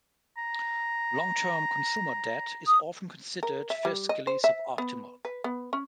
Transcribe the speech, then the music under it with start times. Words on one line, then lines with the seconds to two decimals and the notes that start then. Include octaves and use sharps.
Long-term consumer debt is often considered fiscally suboptimal.
0.37 A#5
2.67 D#6
3.43 A#4
3.70 E5
3.85 G3
4.09 D#5
4.27 C5
4.44 E5
4.78 B3
5.25 B4
5.44 B3
5.73 C#4